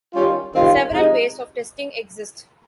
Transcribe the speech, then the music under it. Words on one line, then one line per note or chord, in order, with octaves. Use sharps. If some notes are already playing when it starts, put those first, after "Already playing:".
Several ways of testing exist.
D#3 G3 C#4 F4
D#3 G3 C4 F4
C3 F3 G#3 D#4